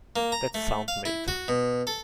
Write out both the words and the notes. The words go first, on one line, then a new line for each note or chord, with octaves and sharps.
That's sound mate.
A#3
A#5
A3
F5
E4
F#4
B2
A4